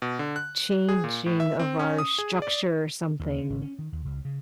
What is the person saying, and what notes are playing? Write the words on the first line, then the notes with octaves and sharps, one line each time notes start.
changing of our structure or something
B2
D3
F#6
G#4
A#2
A2
E5
C4
C#4
D#6
G#4
D5
D#2
D3
G#1
C#4
D#3
D#2
C#2
C#3